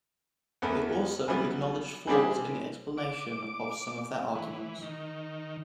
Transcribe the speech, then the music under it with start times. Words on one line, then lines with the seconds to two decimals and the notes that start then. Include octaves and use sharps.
They also acknowledged flaws in the explanation of some of their arguments.
0.62 E2 B3 A4 A#4
1.28 E3 F#3 G3 B3
2.07 E3 G3 C4 D4 G4 G#4
2.97 D6
4.35 E3
4.82 D#3